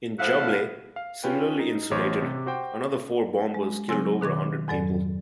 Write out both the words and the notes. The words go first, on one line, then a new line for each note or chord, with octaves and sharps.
In Jableh, similarly insulated, another four bombers killed over a hundred people.
A2 F3 E4 F#4 F5
F5
C#4 F4 B4 G5
D#4
A1 C5 C#5 D6
C3
F#4 C5 G5
G#3
C#3 F#3 C4 G#5 E6 A#6
B2 D#3 D6 G#6
F2 G#2 F#3 A4 D5